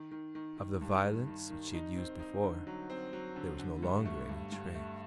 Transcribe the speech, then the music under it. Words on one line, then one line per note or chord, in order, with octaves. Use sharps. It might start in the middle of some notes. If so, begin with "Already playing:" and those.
Of the violence which she had used before there was no longer any trace.
Already playing: D#3
D#3
D#3
D#3
G2
D#3
D#3
D#3
D#4
C4
D#4
D3
F#3
C4
F#3
D3
D3
G2
A3
G2
G2
A3